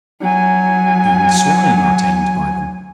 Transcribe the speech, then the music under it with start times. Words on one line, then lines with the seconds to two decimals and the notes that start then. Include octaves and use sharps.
Even swine are tamed by them.
0.21 F#3 G#5